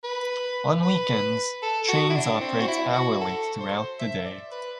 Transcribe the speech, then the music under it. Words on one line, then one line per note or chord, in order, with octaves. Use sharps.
On weekends, trains operate hourly throughout the day.
B4
B4
A4
F#4
E4
D4
C4
F#4
E4
F#4
A4
C5
E5
D5
B4